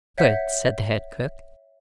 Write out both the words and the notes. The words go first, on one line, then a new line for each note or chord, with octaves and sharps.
'Good,' said the head cook.
C#5 E5 F#5 G6 B6